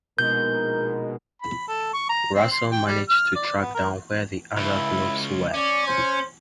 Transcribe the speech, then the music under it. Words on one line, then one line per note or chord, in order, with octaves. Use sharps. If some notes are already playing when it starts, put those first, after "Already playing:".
Russell managed to track down where the other gloves were.
A#1 B2 G#3 D#4 A#4 G6
B5
A4
C#6
A#5
C4
C6
G5
G3
F6
D5
B3
A#4
C#2 E4
C#4 D5
C5